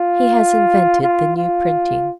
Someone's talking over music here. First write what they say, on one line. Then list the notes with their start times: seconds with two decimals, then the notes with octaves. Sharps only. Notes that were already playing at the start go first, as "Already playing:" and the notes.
He has invented the new printing.
Already playing: F4
1.02 F4
1.37 F4